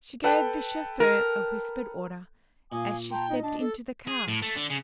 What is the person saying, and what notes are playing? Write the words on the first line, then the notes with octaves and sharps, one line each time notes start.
She gave the chauffeur a whispered order as she stepped into the car.
A4 B4 G5
A#4
A#2 F5 G#5 D#6
G5 A5 A#5 C6
D#4 D#5
D4 A5
A4
G#4
A2
A3
D3
C#3